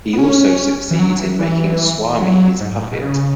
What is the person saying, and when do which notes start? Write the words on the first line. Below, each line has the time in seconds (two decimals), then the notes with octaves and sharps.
He also succeeds in making Swami his puppet.
0.13 B3
0.18 C#4
0.91 E3
0.99 F#3
1.09 F#3
1.19 E3
1.39 E3
2.20 F#3
2.60 G#2
2.71 G#2
2.80 A2
2.91 B2
3.01 C#3